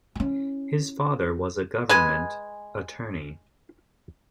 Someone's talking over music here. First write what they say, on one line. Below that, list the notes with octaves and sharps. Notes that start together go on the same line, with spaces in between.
His father was a government attorney.
C#4 E4
G#3 B4 G#5